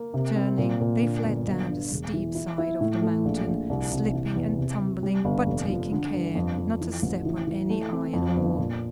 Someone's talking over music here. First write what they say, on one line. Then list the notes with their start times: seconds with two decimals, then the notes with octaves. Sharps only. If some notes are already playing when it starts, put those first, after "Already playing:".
Turning, they fled down the steep side of the mountain, slipping and stumbling, but taking care not to step on any iron ore.
Already playing: A#3
0.14 C3
0.36 C4
0.58 A#2
0.80 A#2
1.02 D3
1.24 G1
1.47 G1
1.69 G2
1.92 E1
2.13 E3
2.35 E4
2.58 E4
2.81 A2
3.02 A3
3.25 A#1
3.47 A#1
3.69 C2
3.92 C3
4.13 E3
4.36 E2
4.58 C3
4.80 C3
5.03 G3
5.25 G1
5.46 F1
5.70 F3
5.92 D3
6.13 G2
6.35 F2
6.58 F2
6.81 E3
7.02 A1
7.25 E3
7.47 E3
7.70 A3
7.92 C4
8.13 F2
8.36 G1
8.58 A#2